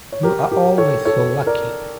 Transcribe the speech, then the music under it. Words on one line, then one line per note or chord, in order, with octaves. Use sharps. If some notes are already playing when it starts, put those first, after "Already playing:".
You are always so lucky.
C#5
G4 A#4
G4 A#4
A4 C#5
A4 C#5
A#4 D5